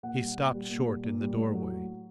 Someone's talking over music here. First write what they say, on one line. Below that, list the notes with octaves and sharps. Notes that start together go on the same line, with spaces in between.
He stopped short in the doorway.
A#2 F#5
G3
A#2
G3
A#2
G3
A#2
G3
A2
F#3